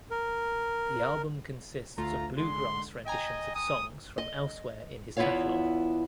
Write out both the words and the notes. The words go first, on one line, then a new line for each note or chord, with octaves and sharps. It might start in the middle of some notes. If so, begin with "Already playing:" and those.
The album consists of bluegrass renditions of songs from elsewhere in his catalog.
A#4
D2 A3 F4 A#5
D3 G#3 C6
D#5 G5 G#5 A#5
D#6
D#5
E2 B3 E4 F4 C#5 F5